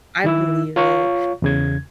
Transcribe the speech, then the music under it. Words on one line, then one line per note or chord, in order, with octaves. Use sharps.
I believe it.
D#3 E4 E6
F4 C#5 F5 C#6
E2 C#3 G#6